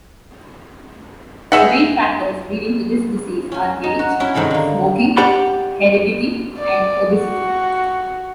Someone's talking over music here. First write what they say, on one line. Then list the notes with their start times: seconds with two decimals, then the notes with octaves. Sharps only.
The main factors leading to this disease are age, smoking, heredity, and obesity.
1.52 D#4 G#4 B4 E5 F#5
3.52 C#4 G#5
3.83 D#4
3.99 F#4
4.20 C#4 E4
4.34 G#2 C3 D#3 A4 B5
4.51 D3 A#3
5.17 G4 D5 F#5 B5
6.58 D5
7.15 F#4